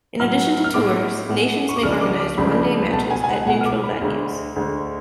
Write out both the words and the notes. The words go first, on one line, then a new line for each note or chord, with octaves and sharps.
In addition to tours, nations may organise one-day matches at neutral venues.
A2 F#3 B3 F6
F6
A2 G#3 B3 D6
A2 G#3 B3
C#6
D6
C#2 C#3 F3 A3 D4 F6
D6
D6
C#2 C#3 F3 A3 D4 B5
C#2 B2 A3 A5
G#5
G#5
F#5
C#2 B2 A3 F#5
F6
D6
B5
D2 D3 G#3
D2 D3 G#3